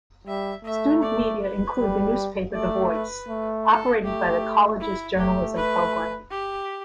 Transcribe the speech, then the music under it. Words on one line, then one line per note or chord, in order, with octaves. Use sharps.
Student media include the newspaper "The Voice", operated by the College's Journalism Program.
G3 E5
A3 E5
D5
B4
G3
A3 D5
B4
A3
A4
A3 G4
E4
A3 G4
B4
G4